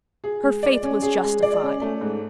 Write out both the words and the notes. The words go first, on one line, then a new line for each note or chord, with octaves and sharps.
Her faith was justified.
G#4
G#3
D5
C#4
G#4
G#3
D5
C#4
A3
G#2